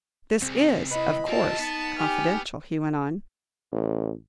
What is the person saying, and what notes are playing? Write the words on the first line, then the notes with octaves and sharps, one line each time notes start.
"This is, of course, confidential," he went on.
C2 C4 G#4
E4 B4 D#5 B5
C4 F4 G4 A#4 A5
B3 D#4
G4 G#5 F6
A1